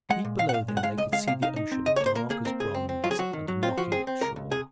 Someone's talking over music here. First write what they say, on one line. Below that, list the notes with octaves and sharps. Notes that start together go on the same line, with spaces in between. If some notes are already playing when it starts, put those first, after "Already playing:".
Deep below them they could see the ocean, dark as bronze and knocking at the shore.
G#3 F#5
A#2
A#2 F5
F#5
A#2 F5
G#3
F#5
G#3 F5
C#2 D#5
G#3 F5
C3 F5
D#4 F5
D#4
C4
C#3 D#5
C#5
A#3
C5
A#3 A#4
A#3 G#4
C4 A#4
C#2 G#4
C4
C4
F#3 F4
G#4
F#3 F#4
D#3
F#3
C4 F4
F3 F#4
C4 G#4
C4
C#2 A#4
C#2
C3 G#4